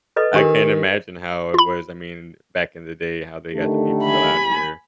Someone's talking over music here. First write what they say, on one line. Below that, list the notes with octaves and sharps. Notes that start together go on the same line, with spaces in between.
I can't imagine how it was. I mean, back in the day, how they got the people out here,
A4 B4 D#5
D#3 D4 G4 A#4
F4 B5
D3 D#3 A3 G4
G#5 B5